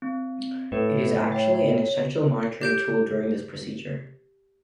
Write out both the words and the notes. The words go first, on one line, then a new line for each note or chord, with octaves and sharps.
It is actually an essential monitoring tool during this procedure.
C4
A2 A4 B4
C#5 E5 G5
G4 G6 D7